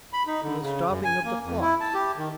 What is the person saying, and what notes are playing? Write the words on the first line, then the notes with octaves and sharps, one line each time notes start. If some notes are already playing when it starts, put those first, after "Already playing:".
And the stopping of the clocks?
B5
D#4
D3
C#3
F#2
G#5
A#3
F2
E4
A5
G4
D#3